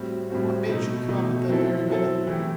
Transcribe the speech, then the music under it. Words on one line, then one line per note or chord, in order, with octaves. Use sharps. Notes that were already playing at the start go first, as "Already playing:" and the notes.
And what made you come at that very minute?
Already playing: A2 G3 C4 F#4
A2 G3 C4 F#4
B2 A3 D#4
B2 A3 D#4
F#3 C4 E4 A4
F#3 C4 E4 A4
E3 A3 E4 G4